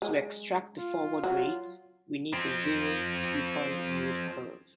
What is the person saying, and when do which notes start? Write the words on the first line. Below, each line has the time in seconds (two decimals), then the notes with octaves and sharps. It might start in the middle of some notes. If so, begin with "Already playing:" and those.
To extract the forward rate, we need the zero-coupon yield curve.
0.02 G#3
0.78 F4
1.23 F#3
2.33 F3 C4